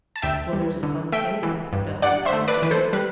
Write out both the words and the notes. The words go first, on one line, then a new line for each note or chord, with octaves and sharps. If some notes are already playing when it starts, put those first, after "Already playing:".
"Well, there's a funny thing about that bill," replied Jenny.
A5
D2 E5 G5
G3
D3
A3 E5 G5
E3
G2
G2 D5 F#5
C5 E5
A3
B4 D5
E3 B4
A4 C5
G3 B4